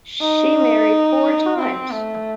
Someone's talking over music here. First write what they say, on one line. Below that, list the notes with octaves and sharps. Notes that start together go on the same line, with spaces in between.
She married four times.
D#4
C4
A3